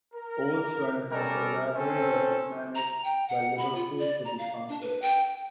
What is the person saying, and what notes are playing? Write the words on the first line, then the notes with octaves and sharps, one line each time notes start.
Old Swan has a library that is managed by Liverpool City Council.
A#4
G3 C#4 A4 A#4 D5
C4 C#4 A4 C5
A#5
G5
F#5
B5
F4
D5
A#5
F5
D4
B4
G5